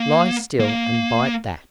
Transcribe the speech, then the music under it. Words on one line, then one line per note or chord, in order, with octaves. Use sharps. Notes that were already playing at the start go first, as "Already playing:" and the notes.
Lie still and bite that.
Already playing: A#3
A#3